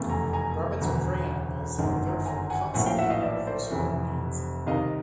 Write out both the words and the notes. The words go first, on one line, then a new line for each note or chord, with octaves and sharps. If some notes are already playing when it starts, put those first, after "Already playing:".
Rabbits are prey animals and are therefore constantly aware of their surroundings.
Already playing: F1 E2 C#3 E3 A3
G#5 A#5
G#5 A#5
E1 D2 D3 F#3
G1 F#2 D#3 G#3
G#5 A#5
F#5 G#5
A#1 A2 F#3 A#3 F#5 G#5
F5 G5
E5 F#5
D#5 F5
D5 E5
C5 D5
F1 F2 C3 E3
C2 C3 D#3 D#5 F5